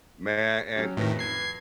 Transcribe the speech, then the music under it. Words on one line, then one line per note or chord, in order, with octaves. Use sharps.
man and
F#3 C#4 G4
F2 A2 D#3 B4 A#6
G#6 C7